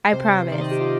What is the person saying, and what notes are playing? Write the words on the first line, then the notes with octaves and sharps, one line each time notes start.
I promise.
C3 C5
C3
D#3 D5
D#5
D#3 G4
F4